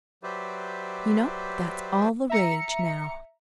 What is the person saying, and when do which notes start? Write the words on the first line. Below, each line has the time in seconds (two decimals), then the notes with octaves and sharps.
You know that's all the rage now.
0.23 F#3 G4 B4 C5 D5 E5
2.30 E5 A#5 C#7